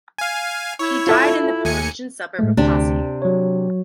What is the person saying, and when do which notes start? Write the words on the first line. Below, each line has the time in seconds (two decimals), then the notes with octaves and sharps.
He died in the Parisian suburb of Passy.
0.18 F5 G#5
0.79 E4 C#5
1.07 F4 A4 E5
1.65 D#2 G#5 C#7
2.39 A2 G#3 A3
2.57 D2 C3 D4 G4
3.22 F#3 C#5